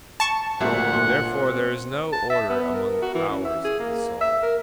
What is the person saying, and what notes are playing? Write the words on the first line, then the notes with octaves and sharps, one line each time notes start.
Therefore there is no order among the powers of the soul.
A5 C#6
G#1 D2 A#2 E5 F#5
A#2
C4
A5
E5
B3
A#4
F#4
E3
C#4
E5
G#4
A#3
E5
A#4